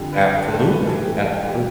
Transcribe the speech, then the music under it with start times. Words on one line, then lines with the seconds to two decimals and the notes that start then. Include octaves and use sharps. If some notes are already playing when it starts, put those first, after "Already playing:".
Absolutely, absolute
Already playing: F2 D3 G3
0.12 B4
0.37 A4
0.52 A4
0.68 B4
0.85 A2 E3 G3 A4
1.00 G4
1.23 A4
1.32 G4
1.48 G4